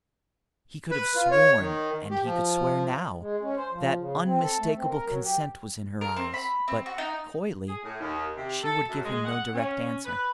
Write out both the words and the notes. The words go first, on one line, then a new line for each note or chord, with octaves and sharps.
He could have sworn, and he could swear now, that unmistakable consent was in her eyes, but, coyly, she would give him no direct answer.
B4
F4
C#5
D#3
G4
F3
G#3
C#4
C5
F3
C#3
C4
A4
A3
C4
A#4
F#3
G4
A#4
C4
B5
C4
F#4
D#4
G#4
A2
D#2
C3
A4
F#2
G#3
F#5
C#4
B4